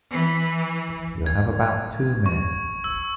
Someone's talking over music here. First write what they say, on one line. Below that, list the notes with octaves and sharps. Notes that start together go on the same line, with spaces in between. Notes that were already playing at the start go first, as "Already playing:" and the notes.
You have about two minutes.
E3
G#6
C#6
E6